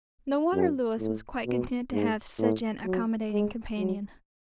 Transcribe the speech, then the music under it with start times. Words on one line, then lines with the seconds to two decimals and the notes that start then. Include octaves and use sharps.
No wonder Louis was quite content to have such an accommodating companion!
0.53 F#2
0.99 A2
1.46 B2
1.93 G#2
2.38 A2
2.84 F#3
3.31 G#3
3.77 F#3